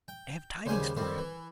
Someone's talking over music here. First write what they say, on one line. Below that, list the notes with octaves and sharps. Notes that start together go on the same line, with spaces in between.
I have tidings for him.
G5
D#2 C#3 G3 C5 G#5 D#6
F2 D#3 G3 C4
E3